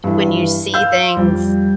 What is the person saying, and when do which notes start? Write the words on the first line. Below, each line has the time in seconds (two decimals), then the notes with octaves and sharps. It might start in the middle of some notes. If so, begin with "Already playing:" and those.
when you see things
0.04 G2 E3
0.74 F5 E6 G6
1.16 F2 G3